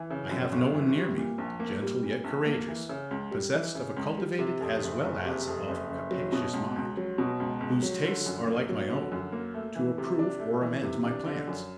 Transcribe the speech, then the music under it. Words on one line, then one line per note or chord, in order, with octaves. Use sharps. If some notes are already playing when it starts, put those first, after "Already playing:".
I have no one near me, gentle yet courageous, possessed of a cultivated as well as of a capacious mind, whose tastes are like my own, to approve or amend my plans.
Already playing: E3
C#3
F#2
G1
E3
G3
A#2
A#1
A#3
G3
A#2
A#1
A#3
E3
C#3
C#2
G3
E3
C#3
C#2
G3
C3
F2
F#1
F#1
C3
F2
F#1
F#1
F#3
B2
C#2
C#2
F#3
B2
C#2
C#2
F#3
D3
F#2
A#3
F#3
D3
F#2
A#3
A3
E3
C3
D4
A3
E3
C3
D4
D3
F#2